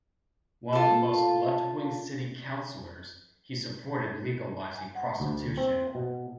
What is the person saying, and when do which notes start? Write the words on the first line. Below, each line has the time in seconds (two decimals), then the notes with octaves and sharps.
One of the most left wing city councillors, he supported legalizing prostitution.
0.73 F4 A4
4.77 G#5
4.95 F#5
5.20 D2
5.57 C4
5.95 B2